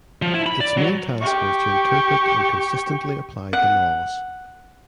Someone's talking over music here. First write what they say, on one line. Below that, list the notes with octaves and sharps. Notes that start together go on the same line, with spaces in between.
Its main task was to interpret and consistently apply the laws.
F3
E4
B5
D5
F#3
G4 C#6
F#5